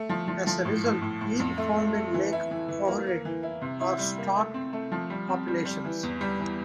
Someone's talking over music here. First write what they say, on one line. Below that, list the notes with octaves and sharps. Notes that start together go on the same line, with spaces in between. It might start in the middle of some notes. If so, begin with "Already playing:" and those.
As a result, eel found in Lake Ohrid are stocked populations.
Already playing: A3
F3
F3
F3
A2
A2
A2
A2
F2
A3
A3
A3
E3
E4
E3
E3
A#3
A#3
E3
E4
C3
E4
G3
A#3
A3
C4
A3
F3
G3
C4
G3
G3
E3
E2
G3
E3